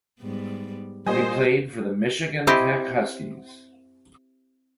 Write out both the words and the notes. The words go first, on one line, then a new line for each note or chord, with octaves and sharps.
He played for the Michigan Tech Huskies.
G#2 G3 B3
A#2 G3 A#3 C5 D#5 G#5
C4 E4 G4 D#5 G#5